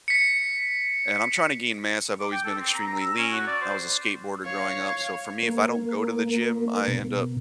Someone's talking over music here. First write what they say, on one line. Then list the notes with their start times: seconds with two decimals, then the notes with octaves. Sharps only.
And, I'm tryna gain mass, I've always been extremely lean, I was a skateboarder growing up, so for me, if I don't go to the gym, I end up
0.08 B6 C#7
2.20 D6
2.32 G5
2.44 A4
2.58 C4
2.74 A#5
2.87 A#5
3.01 E6
3.17 C#4
3.32 F#4
3.47 D5
3.62 C5
4.45 C#5 F5
5.43 A#3
6.88 B2